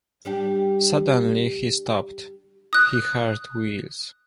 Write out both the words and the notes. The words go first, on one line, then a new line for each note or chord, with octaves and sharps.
Suddenly he stopped; he heard wheels.
G3 D4 G4
D#6 F#6